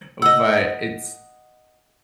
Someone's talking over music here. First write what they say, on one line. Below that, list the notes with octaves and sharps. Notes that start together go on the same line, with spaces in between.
but it's
D#5 F#5 E6